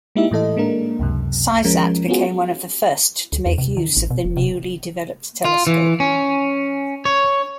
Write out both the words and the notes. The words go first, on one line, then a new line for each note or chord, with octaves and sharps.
Cysat became one of the first to make use of the newly developed telescope.
G#3 A#3 D#4 E4 G4 E5
A2 E3 A4 D#5
G#3 A#3 D4 A#4
C#2 F#2 C3
F3 G#3 C#4 A#4
B3 C#4 F4 F#4 G#4
D2
E2
C3
D#3
A1
B2
E1
C3
F4
E3
C#4
C#5